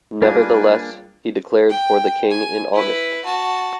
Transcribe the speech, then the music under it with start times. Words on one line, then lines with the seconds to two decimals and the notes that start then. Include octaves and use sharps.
Nevertheless he declared for the king in August.
0.22 G3 A#3 D4 F4 G#4 B4 G#5
1.70 G5
2.31 G#5
2.73 E4 B4
3.25 F#4 A5